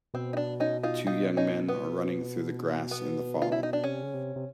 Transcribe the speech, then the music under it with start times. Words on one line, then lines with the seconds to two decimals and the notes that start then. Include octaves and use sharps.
Two young men are running through the grass in the fall.
0.14 B2 C4
0.33 D#4
0.37 D4
0.60 C#4 D#4
0.83 D#4 F4
1.07 D#4 F4
1.37 C#4 D#4
1.68 B3
2.91 B3
3.42 F4
3.52 E4
3.63 D#4
3.73 D4
3.84 C3 C#4
4.03 C#3
4.14 C3
4.36 C3